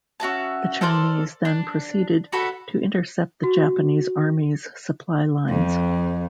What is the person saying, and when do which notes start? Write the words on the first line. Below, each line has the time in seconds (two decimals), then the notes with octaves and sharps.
The Chinese then proceeded to intercept the Japanese army's supply lines.
0.20 C#4 F#4 E5 A5
0.81 A4 A#4 C5 D5
1.45 D4
2.33 F#4 A4 B5
3.43 F#4
5.49 F2